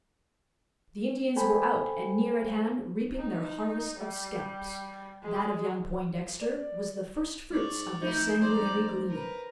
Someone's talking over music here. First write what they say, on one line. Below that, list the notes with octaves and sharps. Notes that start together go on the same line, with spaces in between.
The Indians were out, and near at hand, reaping their harvest of scalps! That of young Poindexter was the firstfruits of their sanguinary gleaning!
A4 C5 G5 G#5 B5
D#4
G3
G#3
D5
G#2 C#5 D5
F1 D#4 E4
C5 D5 A#5
A#4 B4